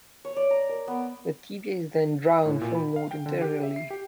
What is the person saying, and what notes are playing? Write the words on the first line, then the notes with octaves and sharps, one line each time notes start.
The tibia is then drawn forward anteriorly.
C#5
D5
A#5
A#4
B3
A2
A#2
B5
F5
G5
D3
G4
E5
C7
G4